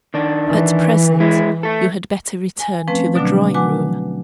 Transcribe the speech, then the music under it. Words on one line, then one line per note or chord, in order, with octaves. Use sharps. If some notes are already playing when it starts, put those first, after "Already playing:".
At present, you had better return to the drawing-room.'
D#3 D4
E3
G#3 E4
A3 A4
G#5
F3 A3 C4 C#4 B4
B2 D3 F#3 A3 D4
A3 F#4 B4 F#5 G#5 D6